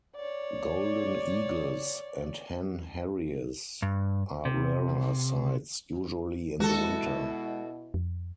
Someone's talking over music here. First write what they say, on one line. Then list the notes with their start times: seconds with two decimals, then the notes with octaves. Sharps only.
Golden eagles and hen harriers are rarer sights, usually in the winter.
0.16 C#5 D5
3.82 G2
4.45 C3
6.60 B2 G#3 E4 F#4 A4
7.94 F2